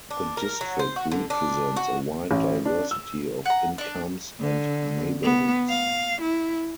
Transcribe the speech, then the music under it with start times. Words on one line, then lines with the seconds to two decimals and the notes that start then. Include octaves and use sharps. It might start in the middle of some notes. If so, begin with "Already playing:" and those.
The district represents a wide diversity of incomes and neighborhoods.
0.11 D4
0.37 A#4
0.61 F#3
0.79 C5
0.96 F#4
1.12 D3
1.30 D4
1.77 F#4
2.31 A1
2.65 D4
2.91 E6
3.46 F#5 A#5
3.78 D4 D5
4.40 D3
5.23 B3
5.69 F5
6.21 E4